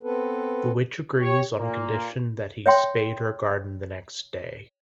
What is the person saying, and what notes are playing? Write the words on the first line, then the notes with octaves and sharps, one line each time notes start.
The witch agrees on condition that he spade her garden the next day.
B3 C4 A4 B4
G4 C#5
A#2 A#3
C#5 E5 G5 C6